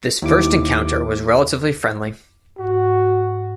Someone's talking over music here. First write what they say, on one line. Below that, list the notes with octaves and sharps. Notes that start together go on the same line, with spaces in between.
This first encounter was relatively friendly.
D#2 E4 D6
G#2 F#4